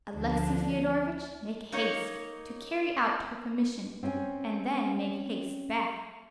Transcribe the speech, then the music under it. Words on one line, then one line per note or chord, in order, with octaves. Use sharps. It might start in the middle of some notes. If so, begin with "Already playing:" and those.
Alexey Fyodorovitch, make haste to carry out her commission, and then make haste back.
D2 D3 F3 D4
A#3 D#4 C#5
C4 C#4 E4 C#5 G#5